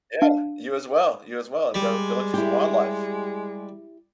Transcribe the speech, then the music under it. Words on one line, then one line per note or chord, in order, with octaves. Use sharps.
yeah, you as well, you as well, and go go look for some wildlife.
D4 F5
G3 G#3
E4 G4